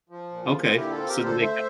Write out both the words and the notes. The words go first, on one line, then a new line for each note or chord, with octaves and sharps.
Okay. So, do they ki
F3
A#2
F4
A#2
D3 E4 G4
F4 A4
C4
G4 A#4
D3
A4 C5
A3 C5 E5